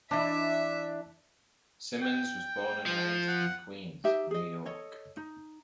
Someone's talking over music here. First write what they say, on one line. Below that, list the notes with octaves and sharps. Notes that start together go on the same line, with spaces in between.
Simmons was born and raised in Queens, New York.
E3 D4 E4 D#5 E5
G5
F3
F#5
D#4 G4 E5
G#4 D#5
A4 C#5 D#5
D#4